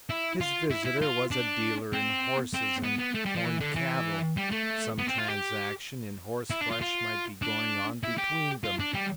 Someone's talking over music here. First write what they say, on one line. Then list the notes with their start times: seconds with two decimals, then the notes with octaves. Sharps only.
His visitor was a dealer in horses and horned cattle. Some transaction in horseflesh might be going on between them.
0.10 E4
0.41 F4
0.71 E4
0.85 E4
1.02 F4
1.31 D4
1.93 C4
2.54 C4
2.84 B3
2.99 B3
3.15 A3
3.25 G3
3.35 F3
3.45 E3
3.60 D3
3.75 E3
4.37 G3
4.52 A3
4.98 B3
5.08 C4
5.18 F4
5.28 G4
6.50 E4
6.61 D4
6.71 F4
6.81 F4
7.42 D4
8.03 E4
8.18 G4
8.64 F4
8.80 D4
8.94 G3